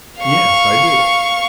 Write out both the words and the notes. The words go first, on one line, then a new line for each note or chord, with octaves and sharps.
"Yes, I did."
F5 C#6